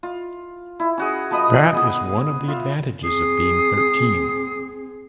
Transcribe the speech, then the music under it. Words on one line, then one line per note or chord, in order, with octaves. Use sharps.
That is one of the advantages of being thirteen.
F4
E4
C#4 F#4 G#4
F3 A#4 B4 D#5
B3 G#4
F4 E5
C4 G#4 D#6 C7